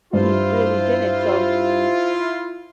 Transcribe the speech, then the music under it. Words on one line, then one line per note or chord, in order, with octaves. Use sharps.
he really didn't, so
G2 E4 F4 C5